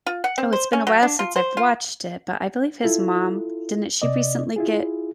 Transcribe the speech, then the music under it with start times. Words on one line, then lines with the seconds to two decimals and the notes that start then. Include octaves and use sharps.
oh, it's been a while since I've watched it, but I believe his mom didn't she recently get
0.06 F4
0.24 F#5
0.38 C4
0.53 C5
0.73 C#4
0.87 F#3
1.03 D4
1.19 F4
1.36 C5
1.57 F4
2.84 E4 F4 A4
4.02 C3 D5 D#5
4.56 E4 F4 G#4